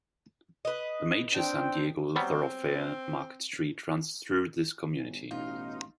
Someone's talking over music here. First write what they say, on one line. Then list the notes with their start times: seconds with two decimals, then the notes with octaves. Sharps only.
The major San Diego thoroughfare Market Street runs through this community.
0.65 B4 D#5
1.34 C4 D4 G5
2.16 F#3 G3 B3 C4
4.99 G1
5.31 A1 B2 D#4 F4